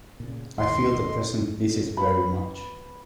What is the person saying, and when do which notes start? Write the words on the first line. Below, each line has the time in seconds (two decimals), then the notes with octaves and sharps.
I feel the present visit very much.
0.20 A#2 C#3
0.59 D#2 D#5 C6
1.97 F#4 B4 F5 B5